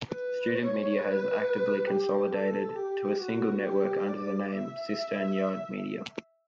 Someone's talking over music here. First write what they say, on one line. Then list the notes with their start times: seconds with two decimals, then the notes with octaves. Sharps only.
Student media has actively consolidated to a single network under the name CisternYard Media.
0.10 B4
0.55 C#5
0.99 B4
1.87 G4
2.32 A4
2.76 G4
3.20 F#4
3.65 G4
4.09 D5
4.54 E5